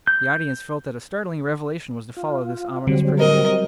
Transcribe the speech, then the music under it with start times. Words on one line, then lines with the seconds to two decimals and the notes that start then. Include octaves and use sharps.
The audience felt that a startling revelation was to follow this ominous prelude.
0.07 G6
2.17 F4
2.87 D3 F#3 G3 C4
3.18 A#4 D#5